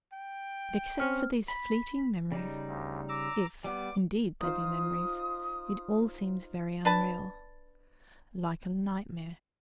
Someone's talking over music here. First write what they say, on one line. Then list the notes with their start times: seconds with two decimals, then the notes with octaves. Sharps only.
But, except for these fleeting memories, if, indeed, they be memories, it all seems very unreal, like a nightmare.
0.13 G5
1.00 C4 C#4 F6
1.48 B5
2.32 C#3 G3 D#4
2.67 D2
3.09 A#5 D6 E6
3.64 G3 B3 D6
4.41 D#4 F4 C5 D#6
6.85 D4 B4 A5